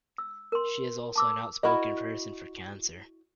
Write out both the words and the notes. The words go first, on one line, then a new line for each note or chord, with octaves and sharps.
She is also an outspoken person for Cancer.
E6
A#4 C6
A5 D6 E6
E4 F#4 A#4 D#5